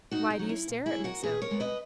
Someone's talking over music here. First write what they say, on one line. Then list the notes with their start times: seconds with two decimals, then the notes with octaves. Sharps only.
'Why do you stare at me so?
0.11 A#2 D#4 F#4
0.30 D#4
0.39 F#3 C#4
0.49 E4
0.68 A#2
0.86 E4 G#4
0.95 F#3 C#4
1.04 F#4 A#4
1.23 A#2 G#4 B4
1.42 A#4 C#5
1.51 G#3 B3
1.60 B4 D#5